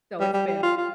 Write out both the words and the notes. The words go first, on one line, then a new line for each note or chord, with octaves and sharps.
So, it's been
G3
G3
G3
F4
F4